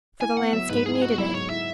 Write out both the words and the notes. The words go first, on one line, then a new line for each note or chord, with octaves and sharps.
For the landscape needed it.
E4 G#5
B3 F#5
F#3 E5
G#2 B4
E4 G#4
B3 F#4
F#3 E4
G#2 C#5
E4 E5